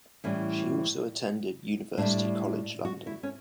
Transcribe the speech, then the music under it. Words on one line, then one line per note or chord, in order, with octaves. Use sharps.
She also attended University College London.
A2 E3 G3 C#4
A2 G3 D4
F#4
E4
C#4